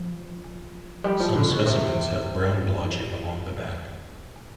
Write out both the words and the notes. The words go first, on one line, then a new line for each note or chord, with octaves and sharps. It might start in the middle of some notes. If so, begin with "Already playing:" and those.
Some specimens have brown blotching along the back.
Already playing: F3
G3
F3
D3
B2
C3
G3